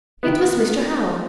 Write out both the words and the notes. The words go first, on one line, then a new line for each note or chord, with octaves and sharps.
It was Mr. Howell.
D#3 B3